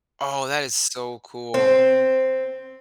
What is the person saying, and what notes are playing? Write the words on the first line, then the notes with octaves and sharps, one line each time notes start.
Oh, that is so cool.
C4